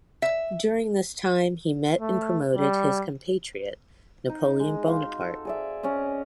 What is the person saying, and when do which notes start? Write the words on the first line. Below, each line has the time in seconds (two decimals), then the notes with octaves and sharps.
During this time he met and promoted his compatriot Napoleon Bonaparte.
0.22 E5
2.00 A3
2.56 G3
4.29 D#4
4.60 G#3
4.85 F#4 F5 C6
5.21 A4
5.45 G#4 D5 E5
5.83 C#4 D5 D#5